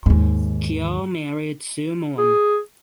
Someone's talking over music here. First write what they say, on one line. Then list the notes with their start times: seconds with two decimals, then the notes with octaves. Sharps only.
Kyaw married Su Mon.
0.06 D#2 G#2
2.18 G#4